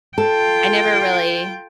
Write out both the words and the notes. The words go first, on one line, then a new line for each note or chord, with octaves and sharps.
I never really
F4 A4 G5